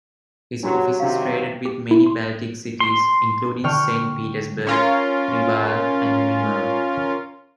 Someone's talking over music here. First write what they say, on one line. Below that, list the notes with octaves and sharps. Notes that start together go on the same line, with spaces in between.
His offices traded with many Baltic cities, including Saint Petersburg, Reval, and Memel.
F#3 D4 F#4 G4
C3 D#3 F#3 C#4 F5
G4
E4
C6
C6
D3 G5 C#6 F6
C#4 F4 A#4